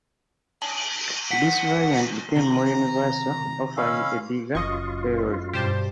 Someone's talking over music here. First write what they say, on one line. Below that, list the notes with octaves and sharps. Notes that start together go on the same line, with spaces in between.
This variant became more universal, offering a bigger payload.
F#5 B6
C3 D#3 A#5
C#4 D#5 F5 B5 E6
F#1 F#2 F4 D#5 C#6
G2 B2 G4 C5 A5